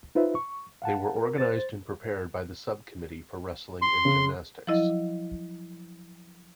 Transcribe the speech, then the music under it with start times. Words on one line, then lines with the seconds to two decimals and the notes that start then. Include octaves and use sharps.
They were organized and prepared by the Sub-Committee for Wrestling and Gymnastics.
0.15 D#4 F4 B4 C5 E5
0.35 C#6
0.82 F5 F#5 A5
1.16 A#4
1.38 C5 A6
3.82 C6
4.05 C#3
4.67 F3 F#3 E4 D#5